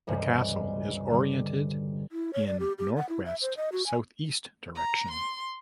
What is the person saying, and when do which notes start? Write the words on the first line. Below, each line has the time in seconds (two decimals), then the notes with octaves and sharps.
The castle is oriented in northwest–southeast direction.
0.07 E1 C#2 G2 C3
1.10 D3 G3
2.12 E4
2.33 C#5
2.47 D5
2.60 G4
2.78 G4
2.97 F#5
3.09 E4
3.26 E5
3.42 C5
3.57 D#5
3.72 F#4
3.87 G#5
4.75 A#5
5.11 C6